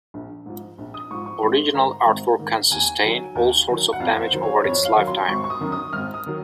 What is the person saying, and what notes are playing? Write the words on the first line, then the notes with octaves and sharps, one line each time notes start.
Original artwork can sustain all sorts of damage over its lifetime.
A#1
G#2 F3
A#1
D#6
G#2 F3 C#6
C#6
G#1 C6
G#2 D#3 A#5
G#1
G#2 D#3
D#2 G#5
D#3 F#3
D#2
D#3 F#3
F#5
F2 F5
C5
D#3 F#3
C#5
F2 C#5
F5
D#3 F#3
C6
G#1 C#6
C#6
D#6
F#2 D#3 F#3
D#6
G#1 F6
D#6
D#3 F#3